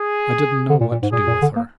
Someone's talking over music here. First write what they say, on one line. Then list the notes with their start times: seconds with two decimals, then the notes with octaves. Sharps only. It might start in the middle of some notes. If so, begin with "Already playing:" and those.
I didn't know what to do with her.
Already playing: G#4
0.70 D3
0.81 A#2
0.92 A#2
1.02 G#2
1.12 A#2 G#4
1.27 A#2
1.42 D3
1.56 A#3